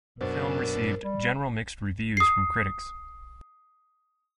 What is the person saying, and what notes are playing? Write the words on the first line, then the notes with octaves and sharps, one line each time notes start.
The film received general mixed reviews from critics.
F#2 B2 D4 A#4 C5
G3
D#6 C7